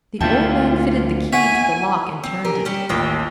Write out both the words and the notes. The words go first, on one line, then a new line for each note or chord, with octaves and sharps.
The old man fitted the key to the lock and turned it.
D2 A#2 F4 E5 G5 A5
C#5 E5 F#5 G#5
C4
G4 A#4 G#5
G3 C#4 G4
A1 D#2 F4 G5